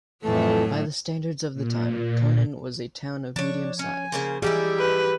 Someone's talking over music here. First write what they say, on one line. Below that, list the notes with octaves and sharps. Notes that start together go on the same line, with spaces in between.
By the standards of the time, Konin was a town of medium size.
F2 A2 E3 F#3 A3 A4
A#2
F3 D4 C#5
C#4 G#5
C#3 A#3 C5
E3 G3 D#4 E4 G4 G#4
B4